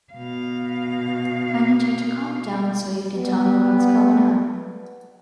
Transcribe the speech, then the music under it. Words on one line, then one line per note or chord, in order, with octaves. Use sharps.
I need you to calm down so you can tell me what's going on.
B2 F5
G3 B3